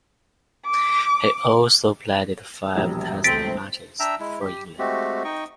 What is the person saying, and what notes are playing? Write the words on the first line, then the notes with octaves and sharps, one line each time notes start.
He also played five Test matches for England.
D6
E1 A#1 G3
C#2 A3 C4 A6 B6 D7
D4 E5 G5 A#5 E6
G#3 E4
G4
G#3 A3 C4 F#4 G4
D#4 D#5 G5 C#6